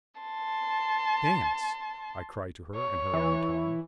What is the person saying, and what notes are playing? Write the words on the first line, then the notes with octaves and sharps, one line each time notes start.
"Dance," I cried to her in her own tongue.
A5 C6
C#5
E3